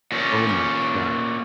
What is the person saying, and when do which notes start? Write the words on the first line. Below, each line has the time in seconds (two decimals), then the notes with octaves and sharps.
Oh, my god.
0.12 A#2 C#4